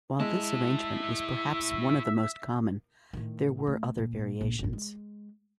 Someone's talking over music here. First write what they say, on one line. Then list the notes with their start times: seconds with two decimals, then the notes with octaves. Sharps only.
While this arrangement was perhaps one of the most common, there were other variations.
0.20 A2 G#3 E4 E5 A5
3.13 A2 D#3
3.67 A3
3.98 A#2
4.41 A#1
4.59 G1 G2
4.73 G#3